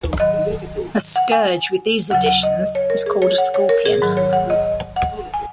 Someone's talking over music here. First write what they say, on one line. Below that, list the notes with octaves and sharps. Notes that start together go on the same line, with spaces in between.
A scourge with these additions is called a scorpion.
G#2 D#3 F#3 D#5
F#5
G#5
D#2 C#3 F#3 F#5
F#5
D#5
C#5
A#4
G#4
C#5
F#5
C#5
A#4
G#4
G#2 D#3 F#3
C#5
F#5
D#5
F#5
G#5